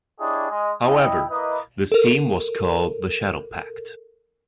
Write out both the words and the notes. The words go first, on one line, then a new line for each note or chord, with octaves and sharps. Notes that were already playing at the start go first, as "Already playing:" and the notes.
However, this team was called the Shadowpact.
D4 E4 G4 G#4 C#5 D#5
G#3 D#5
E4 D#5 G5
A#3 E4 B4 D#5
A4 A#4